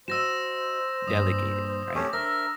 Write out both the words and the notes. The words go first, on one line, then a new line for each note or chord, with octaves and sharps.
delegated, right?
F#4 C5 D#5 E6 A#6 E7
G2 A#2 D#6
A3 C4 C#4 G4 C#5
D4 A#4 C5 E5 A#6